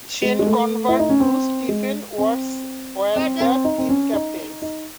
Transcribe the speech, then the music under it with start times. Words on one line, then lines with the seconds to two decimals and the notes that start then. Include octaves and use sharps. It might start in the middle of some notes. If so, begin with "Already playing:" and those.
Sean Conover and Stephen Watts were the team captains.
0.22 G#3
0.39 G#3
0.47 A3
0.89 E4
0.99 D#4
1.09 C#4
1.20 C4
1.69 G#3
2.18 C4
3.16 C4
3.41 C4
3.64 D#4
3.78 C4
3.89 C#4
4.13 D#4
4.62 D#4